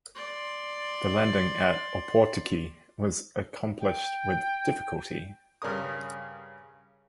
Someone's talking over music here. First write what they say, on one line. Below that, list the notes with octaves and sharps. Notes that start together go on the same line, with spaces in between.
The landing at Opotiki was accomplished with difficulty.
D5 C6
G5
G2 C#3 C#4 A#4 D#6